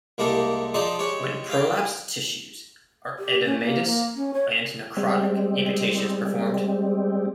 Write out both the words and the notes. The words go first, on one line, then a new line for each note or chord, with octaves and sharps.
When prolapsed tissues are edematous and necrotic, amputation is performed.
C2 G#3 A#3 G4 A4
F3 D#4 G#4 D5 A5 C6
G#3 G4 C#5
F5 G5
G4
C#4
A#3
A#3
C#4
C#5
G3 G#3 C4